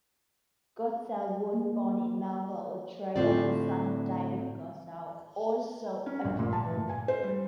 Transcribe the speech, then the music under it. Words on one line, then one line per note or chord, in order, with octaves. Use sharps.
Godsell was born in Melbourne, Australia, the son of David Godsell, also an architect.
A#3
A2 D3 C4 F4 D5
C#4
A#1
A#2
A5
E3
A#2
G#5
C5
G3